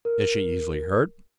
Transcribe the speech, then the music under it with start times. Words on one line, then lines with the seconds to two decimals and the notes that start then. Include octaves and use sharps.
Is she easily hurt?
0.05 A#4